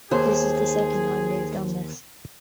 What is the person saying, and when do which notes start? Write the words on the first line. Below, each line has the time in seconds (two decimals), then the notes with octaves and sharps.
This is the second time they've done this.
0.11 D#2 G#4 C5